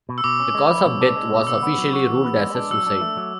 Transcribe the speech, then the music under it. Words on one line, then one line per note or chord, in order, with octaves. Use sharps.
The cause of death was officially ruled as a suicide.
B2
E6
B2 D6
C#4
G#3
E4
B2
D4
G#3
B2 D6
D3 E6
B3
F#3
F#4
E3
B3
G#3
D4
F#3 E6
D4
A3
F#3